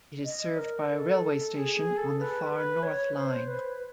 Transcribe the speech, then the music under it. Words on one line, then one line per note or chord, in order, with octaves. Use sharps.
It is served by a railway station on the Far North Line.
D#5
A#4
A4
G#4
G#4
A4
B4
B4
C#5
C5
B4